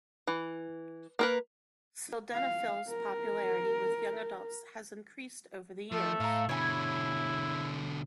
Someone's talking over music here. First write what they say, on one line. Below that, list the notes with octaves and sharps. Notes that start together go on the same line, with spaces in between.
Sildenafil's popularity with young adults has increased over the years.
E3
A#3 A#4 B4
F5
A#4
F3 A3
A2 F5 A#5
B2 D3 E4 C#5 G#5 B5